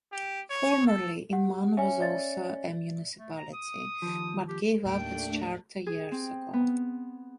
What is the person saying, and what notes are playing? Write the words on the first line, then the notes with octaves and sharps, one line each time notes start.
Formerly, Inman was also a municipality, but gave up its charter years ago.
G4
C#5
A4
G4 F#5
C#4 E5 G#5
D5 E5 A6
A3
A#5
D#6
D#2 F3
G4
D#2 A2 A3 D4 G5
G#4
C4
B3